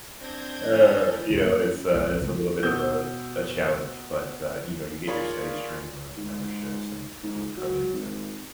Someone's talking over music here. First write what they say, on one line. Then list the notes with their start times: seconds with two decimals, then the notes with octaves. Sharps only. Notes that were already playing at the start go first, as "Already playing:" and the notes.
uh, you know, it's, uh, it's a little bit of a a challenge, but, uh, you know, you get your steady stream of memberships and people come in to,
0.21 C4 D4 G6 G#6 A#6
0.69 E3 A4
1.30 D#2 A#2 D#3
1.45 A#3 C#4
1.63 C#4
1.95 B1 F3 G#3
2.06 A#1 F2 C4
2.21 C2 C#3 G#3 A3
2.63 B2 D#6 E6 G6 G7
5.07 F4 G#4 A#4 C#5 D5 B5
6.17 G#2
7.23 G#2
7.57 F#3
7.93 G#1